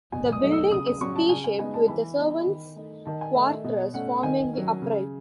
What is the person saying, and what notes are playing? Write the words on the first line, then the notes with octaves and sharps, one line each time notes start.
The building is "T" shaped with the servants quarters forming the upright.
B2 G#5
D#6
F#3 A3 D#4
E6
C#3 D#6
D#6
F#3 C#4 C#6
A5
C#3 G#5
G#5
G#3 B3 D#4 G#5
A5
E3 B5
B3 D#4
D#3
A3 D#4
D#3 A5
G#5
A3 D#4 E5
B2 D#5
A3 C#4 F#5
D#3 G#5
F#3 C#4
C#3